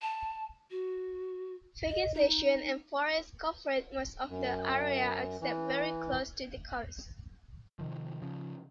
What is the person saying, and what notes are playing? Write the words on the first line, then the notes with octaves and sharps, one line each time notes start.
Vegetation and forests covered most of the area except very close to the coast.
A5
F#4
D#5
D#4
F#2
E3
C3 D#3 F3
C#3 F3